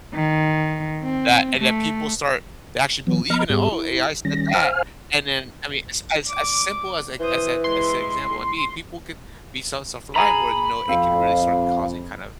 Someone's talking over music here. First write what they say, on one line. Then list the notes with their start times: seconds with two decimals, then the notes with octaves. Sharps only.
Tha and that people start to actually believe in it, "Oh, AI said that," and then, I mean, as as simple as like as a g as an example would be, people could be self self-reliant where, you know, it can really start causing kinda,
0.14 D#3
1.03 C4
1.58 A3
3.07 E3 F#3 B3
3.30 F3 B3 D#5 A#5 B5 F6
3.50 G#2 G3 B3 G4 G#4
3.72 E4
4.25 D#3 G3 C#4 A#6
4.54 C5 F5 G#5 F6
6.27 D5 D6
7.20 E3 C5 D#6
7.64 G#3 E4 C6
10.16 G#4 G#5 A#5 B5
10.89 F2 C4 F5